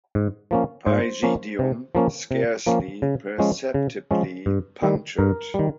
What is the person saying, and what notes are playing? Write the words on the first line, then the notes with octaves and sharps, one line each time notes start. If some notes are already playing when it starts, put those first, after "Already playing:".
Pygidium scarcely perceptibly punctured.
G#2
F3 A#3 C#4
G#2 C5
F3 A#3 C#4
C3
F3 A#3 C#4
C3
F3 A#3 C#4
C#3
F3 G#3 C#4
C#3
F3 G#3 C#4
G2
D#3 G3
G2 A#4
D#3 G3